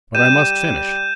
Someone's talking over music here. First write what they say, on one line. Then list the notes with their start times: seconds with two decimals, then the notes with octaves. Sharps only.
But I must finish.
0.15 G3 G6 D#7 E7